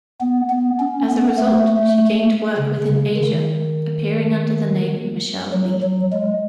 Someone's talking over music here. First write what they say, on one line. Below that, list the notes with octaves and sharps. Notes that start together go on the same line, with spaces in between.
As a result, she gained work within Asia, appearing under the name "Michelle Lee".
B3
B3
C#4
B3
A3
A3
A3
C#3
C#3
D#3
F#3
F#3
G#3